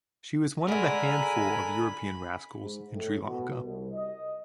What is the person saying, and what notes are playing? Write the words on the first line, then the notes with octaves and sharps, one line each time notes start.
She was one of the handful of European Radicals in Sri Lanka.
D3 G#3 A#4 G#5 B5
G#2
A2
B2
C2
D#5